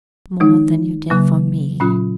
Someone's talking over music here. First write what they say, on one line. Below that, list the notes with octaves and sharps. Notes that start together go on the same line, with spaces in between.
"More than you did for me?"
D#3 G#3 D#4
C#3 F#3 A#3
A#2 F#3 C#4 F4